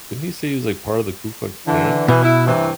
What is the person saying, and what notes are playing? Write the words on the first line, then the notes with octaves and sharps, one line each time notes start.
Didn't he say he was like part of the Ku Klux Klan
D3 E3
B2 E3
E4
G2 C3 E3